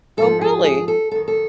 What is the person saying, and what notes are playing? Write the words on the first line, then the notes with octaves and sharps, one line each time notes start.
Oh, really?
G#2 F3 A4
G#4
G#4
A4
F#2 D#3 A4
A4